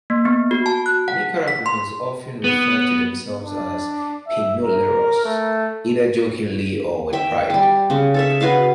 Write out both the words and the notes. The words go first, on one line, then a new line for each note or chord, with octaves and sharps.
Nicaraguans often refer to themselves as "Pinoleros", either jokingly or with pride.
A#3
B3
F#4
A5
F#6
F#5
B6
C6
B3
D4
E5
A#4
A3
E5 G5
G3 G4
C#3
A4 C#5 E5
F#4 B4 D#5 F5